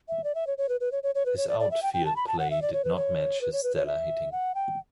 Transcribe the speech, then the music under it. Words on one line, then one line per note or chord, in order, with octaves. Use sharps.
His outfield play did not match his stellar hitting.
E5
D5
E5
C#5
C#5
B4
B4
C#5
C#5
C#5
B4
C#5
D5
D5
E5
G5
G5
A5
B5
A5
F#5
E5
D5
C#5
B4
C#5
B4
C#5
B4
C#5
E5
F#5
G5